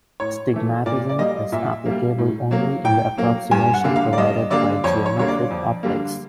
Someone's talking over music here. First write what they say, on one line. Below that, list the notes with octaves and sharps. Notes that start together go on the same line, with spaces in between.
Stigmatism is applicable only in the approximation provided by geometric optics.
A2 C#5
E3 A3
A#2 D5
D5
G3 A#3 D#5
A#2 E5
G3 A#3
A2
F#3 A#3
A2 G5
F#3 A#3
G2 G#5
F#5
D3 G3 A#3
F5
D5
G2 D#5
D3 G3 A#3 D5
F2 C#5
C#5
D3 G3 A#3 C#5
D5
F2
D3 G3 A#3